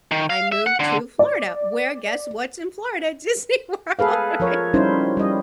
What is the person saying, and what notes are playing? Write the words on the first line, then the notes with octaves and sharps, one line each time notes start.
I moved to Florida, where guess what's in Florida? Disney World, right?
D#3
F5
E5
F#5
D3
D5
G#4 A4 B4 F5
F3 A#4 C#5
G3 C#4 D#4 E4 C5
G3 D#5